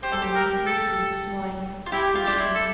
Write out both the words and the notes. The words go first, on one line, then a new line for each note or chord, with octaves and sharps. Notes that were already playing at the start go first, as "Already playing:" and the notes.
"Norah will keep smiling," said Jim.
G4 C5
A4
G4
A#4
A4
F4
E4 G4
F4
D4 G4
E4
A4